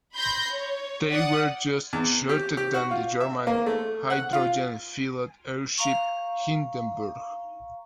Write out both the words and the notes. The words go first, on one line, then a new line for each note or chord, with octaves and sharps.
They were just shorter than the German hydrogen-filled airship "Hindenburg".
B5 C6 G6 A#6
C#5
D5 F#5 D#6
E2
G4
G4
F#4
F4
E5
A#3
A3
F#5
F4
F5 A#5 C#6